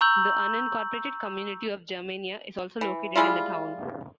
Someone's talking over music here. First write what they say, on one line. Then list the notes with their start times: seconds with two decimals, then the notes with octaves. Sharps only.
The unincorporated community of Germania is also located in the town.
0.01 A#5 C#6 E6 G6 F#7
2.81 E3
3.15 G3 G#3 E4 F4